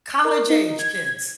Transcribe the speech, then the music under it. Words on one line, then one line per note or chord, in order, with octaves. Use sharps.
college-age kids.
A#4
D#4
G#6